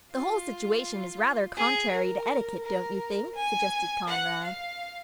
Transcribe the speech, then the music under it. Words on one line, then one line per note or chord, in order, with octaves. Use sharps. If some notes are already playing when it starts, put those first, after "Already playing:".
"The whole situation is rather contrary to etiquette, don't you think?" suggested Conrad.
F4
G#4
A#4
A#4
G#5
F#5
F5